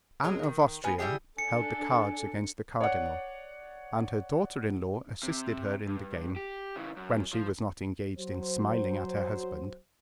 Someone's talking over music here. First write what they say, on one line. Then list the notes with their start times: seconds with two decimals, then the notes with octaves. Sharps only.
Anne of Austria held the cards against the cardinal, and her daughter-in-law assisted her in the game, when she was not engaged in smiling at her husband.
0.24 F#3 G#3 A#4
0.43 D#3
0.84 B3 F4 G#5
0.99 G3 E4 G4 G#4
1.38 D4 A4 G#5 C#7
2.81 C#5 D5 F#5
5.23 C3
5.88 G2
6.36 G4
6.76 C#3 E3
6.97 F#2
7.33 F3
8.18 F#3 C5